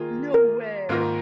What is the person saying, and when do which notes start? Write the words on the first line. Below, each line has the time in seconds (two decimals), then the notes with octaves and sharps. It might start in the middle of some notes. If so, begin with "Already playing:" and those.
No way!
Already playing: D#3 A#3 F4 G#4
0.34 A#4
0.89 G#2 D#3 A#3 F4 A#4